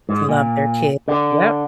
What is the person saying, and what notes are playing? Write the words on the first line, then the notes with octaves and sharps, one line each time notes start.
Love their kid. Yep.
G#2
A#2
D3